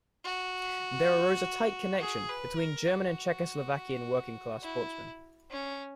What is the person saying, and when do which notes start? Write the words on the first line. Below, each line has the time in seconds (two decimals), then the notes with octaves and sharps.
There arose a tight connection between German and Czechoslovakian working-class sportsmen.
0.25 F#4
2.00 G#4
2.29 B4
2.59 A#4
2.87 F#4
4.63 E4
5.51 C#4